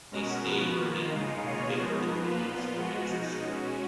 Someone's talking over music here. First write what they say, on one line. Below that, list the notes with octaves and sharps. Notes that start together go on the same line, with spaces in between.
They stayed in for fifteen days to finish the script.
B2 G#3 C#4 F#4 A#4
F3 B3 F#4 B4
D#3 A#3 F4
C#3 G#3 D#4
B2 A#3 F4 G#4 C#5
F3 G#3 B3 D#4 A#4
F3 A#3 F4 B4
A#2 F3 B3 F4
F3 G#3 B3 F#4
B2 G#3 D#4
G#3 C#4 F#4